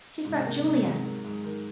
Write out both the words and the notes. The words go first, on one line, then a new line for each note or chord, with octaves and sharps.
She's brought Julia!
G#2 C3
D#3
F#3
G#2
D#3
G#2
D#3